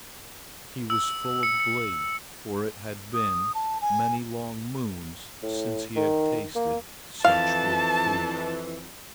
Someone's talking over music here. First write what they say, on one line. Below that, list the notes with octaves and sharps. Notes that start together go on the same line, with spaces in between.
He was full of glee, for it had been many long moons since he had tasted such good food.
E6
C#7
C#7
D#6
A5
G#5
A2
D#3
A#3
F2 E3 F5 A5